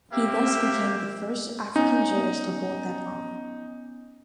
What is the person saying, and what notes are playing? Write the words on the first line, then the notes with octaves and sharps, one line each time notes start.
He thus became the first African jurist to hold that honour.
A#3 C4 G4 E5
B3 C#4 D#4